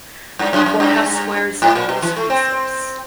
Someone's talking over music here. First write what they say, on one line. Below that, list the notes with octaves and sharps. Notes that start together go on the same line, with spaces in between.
The courthouse square is the oldest resource.
G2
F#2
F#2
G2
G#2
A#2
B2
E3
A3
C4